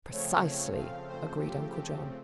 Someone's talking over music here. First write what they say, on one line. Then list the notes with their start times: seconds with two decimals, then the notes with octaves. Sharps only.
"Precisely," agreed Uncle John.
0.11 C#3 F3 A3 C4 C#5
0.76 F5
1.07 C5
1.39 G4
1.71 G4